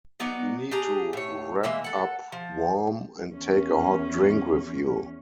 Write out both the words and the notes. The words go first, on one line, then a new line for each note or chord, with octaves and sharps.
You need to wrap up warm and take a hot drink with you.
F#3 B3 D#4 D5
D4 G4 G#4 A#5
A2 C#5
E3 G#3 A#3 E5
A4 F#5
F3
E2 C#4